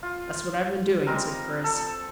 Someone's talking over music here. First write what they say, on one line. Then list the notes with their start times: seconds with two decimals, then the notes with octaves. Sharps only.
"That's what I've been doing," said Chris.
0.03 F4
1.07 G3 G#3 C4 A#4
1.64 A4